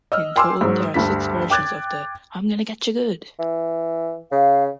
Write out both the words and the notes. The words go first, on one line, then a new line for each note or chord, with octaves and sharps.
In total there are six versions of the I'm Gonna Getcha Good!
D#5 E6 F6
G5 G#5 C6 D6 E6
G#2 F#3
D2 G2 G3 B6
G5 D6 F#6 G#6 A6
E3
C#3 F5